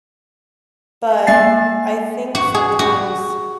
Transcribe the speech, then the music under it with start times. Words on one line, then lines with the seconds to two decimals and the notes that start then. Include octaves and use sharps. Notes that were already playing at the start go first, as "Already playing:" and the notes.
but, I think sometimes
1.27 G#3 A#3 E5 G#5 A6 C7
2.35 F#4
2.54 G#4
2.79 F#4